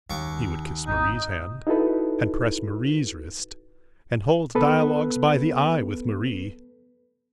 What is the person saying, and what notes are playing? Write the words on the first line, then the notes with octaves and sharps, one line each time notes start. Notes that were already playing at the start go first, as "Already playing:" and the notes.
He would kiss Marie's hand, and press Marie's wrist, and hold dialogues by the eye with Marie.
D#2 C#3 C#6 D6
G#1 D#4 D#5
D#4 E4 F#4 A4 B4
B3 A4 B4